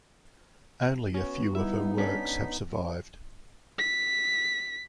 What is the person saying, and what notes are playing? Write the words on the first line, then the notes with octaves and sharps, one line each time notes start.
Only a few of her works have survived.
B3 C#4 F#4
G3 B3 D#4 E4 E5
C#4 D4 B6
B6